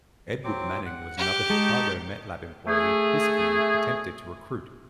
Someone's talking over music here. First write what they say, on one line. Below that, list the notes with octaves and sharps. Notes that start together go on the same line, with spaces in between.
Edward Manning was another Chicago Met Lab employee Hiskey attempted to recruit.
F#3 C4 D6
F#5
G4
G#3 D#4 A5 C#6
A3 G#4